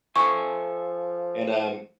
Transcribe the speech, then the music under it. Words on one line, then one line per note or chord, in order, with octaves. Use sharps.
and, um
F3 A4 E5 G#5 C#6